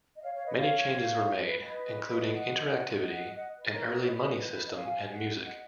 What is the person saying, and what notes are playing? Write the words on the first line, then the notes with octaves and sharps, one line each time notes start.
Many changes were made, including interactivity, an early money system and music.
D#5
C#5 F5
C#5 F5
B4 D#5
C#5 F5
B4
B4 D#5
D#5 F#5
D#5 F#5
B4 D#5
A#4 C#5
B4 D#5
D#5
C#5 F5
F5 G#5
F5 G#5
D#5 F#5
D#5 F#5